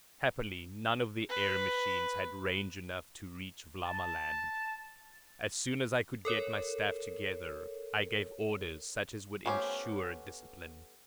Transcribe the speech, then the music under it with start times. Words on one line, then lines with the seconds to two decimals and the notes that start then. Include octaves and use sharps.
Happily, none of the air-machines had range enough to reach Vlamaland. As soon as I could get my staff together, I gave orders such as would insure discipline.
1.30 B4
3.85 A5
6.25 A4 A#4 C#5
9.46 A3 B3 C#4 G4 C5